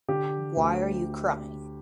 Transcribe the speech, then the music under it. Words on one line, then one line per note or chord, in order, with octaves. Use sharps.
Why are you crying?
D3 G4
D2